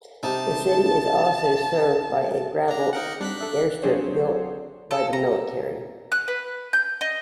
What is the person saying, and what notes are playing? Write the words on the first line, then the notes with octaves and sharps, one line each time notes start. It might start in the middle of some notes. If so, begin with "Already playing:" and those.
The city is also served by a gravel airstrip built by the military.
C3 D#4 A5
D4 A#5
D#4 A#4 F#5
G3 C4 D4 F#6 B6
A4 E5
F#3 C4 D4 G#4 C5 C#5
A4
A#5
F#6
B4
G6
D#5